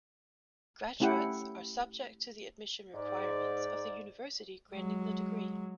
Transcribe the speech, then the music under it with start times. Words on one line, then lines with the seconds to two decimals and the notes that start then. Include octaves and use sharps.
Graduates are subject to the admission requirements of the university granting the degree.
1.00 A3 C#4 E4 G4 F#5 G5
2.94 G#2 D5
4.72 F#3 G#3